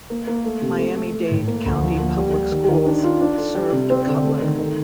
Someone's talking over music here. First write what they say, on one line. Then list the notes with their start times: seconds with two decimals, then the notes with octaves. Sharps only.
Miami-Dade County Public Schools served Cutler.
0.10 A#3
0.27 A#3
0.44 A3
0.62 C3
0.79 A3
0.96 A3
1.13 A3
1.31 A2
1.48 A#3
1.66 D2
1.83 F3
2.00 A#3
2.17 G3
2.34 G3
2.51 D#3
2.68 D#3
2.86 D4
3.04 F4
3.21 D4
3.38 A4
3.55 G3
3.72 C3
3.90 C4
4.07 D3
4.23 A3
4.41 D#3
4.58 D#3